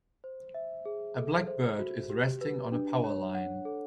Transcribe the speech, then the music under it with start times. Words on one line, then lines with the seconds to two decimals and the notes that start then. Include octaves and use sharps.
A black bird is resting on a power line.
0.24 C5
0.54 E5
0.85 G#4
1.17 A4
1.48 C5
1.79 F#4
2.10 G4
2.41 B4
2.72 D4
3.04 C#5
3.34 F#5
3.65 A4